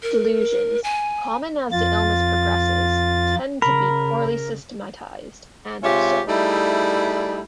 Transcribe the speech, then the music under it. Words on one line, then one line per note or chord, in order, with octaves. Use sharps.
Delusions, common as the illness progresses, tend to be poorly systematized and absurd.
A#4
G#5
F2 F4 A6
C#3 A#4 B5
C3 G#3 F4 G4 C#5 E5
G3 A3 D#4 E4 G#4 D5